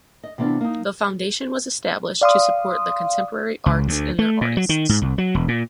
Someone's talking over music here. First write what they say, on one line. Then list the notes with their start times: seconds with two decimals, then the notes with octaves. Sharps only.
The Foundation was established to support the contemporary arts and their artists.
0.23 D#5
0.38 C3 E3 B3 D4 F4
0.61 A#3 D#4
2.21 D5 F5 C6 D#6
3.66 C#2
3.87 D2
4.19 A3
4.41 A#2
4.57 F#3
4.69 D#3
4.89 G#2
5.02 C2
5.18 F#3
5.35 E1
5.48 A#2